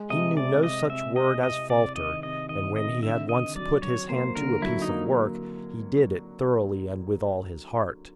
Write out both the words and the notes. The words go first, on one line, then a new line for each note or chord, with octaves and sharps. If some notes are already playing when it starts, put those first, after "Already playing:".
He knew no such word as falter, and when he had once put his hand to a piece of work, he did it thoroughly and with all his heart.
Already playing: G#3
C3 D#5
C3 D5
C3 D#5
C3 E5
C3 D#5
C3 D#5
C3 D5
D#3 D#5
C3 D#5
D#3 D#5
C3 D#5
D3 E5
D3 D#5
F#3 D5
F#3 C#5
A#3 C5
D3 A#4
F#3 E4
D#4
A#3